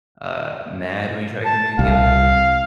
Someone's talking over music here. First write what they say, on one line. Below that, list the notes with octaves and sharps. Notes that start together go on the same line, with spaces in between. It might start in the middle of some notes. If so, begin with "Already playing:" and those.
uh, mad when you try to communicate with him?
A5
C2 F5